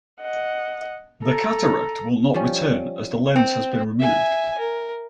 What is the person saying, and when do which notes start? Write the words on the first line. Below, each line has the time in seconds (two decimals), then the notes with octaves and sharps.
The cataract will not return, as the lens has been removed.
0.21 D#5 F#5
1.24 A4 A#5
2.34 F3 G3 C#4
3.36 C4
4.00 E5 G#5
4.58 A#4